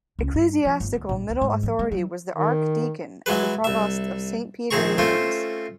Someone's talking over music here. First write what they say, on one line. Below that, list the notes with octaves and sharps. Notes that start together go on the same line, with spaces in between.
Ecclesiastical Middle Authority was the Archdeacon of the provost of Saint Peter in Mainz.
C#2
G2
F3
G1
D2
A#1
D2
G#2
F3
G#3
F#3
D#3
E3 F#3 G#3 B4
C2 E5
A#1 D#3 C4 G#4 A#5 C#6
A3 C4 C#4 F4 C5